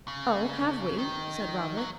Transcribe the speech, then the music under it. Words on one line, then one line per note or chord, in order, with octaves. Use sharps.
'Oh, have we?' said Robert.
C#3
D#3
F#3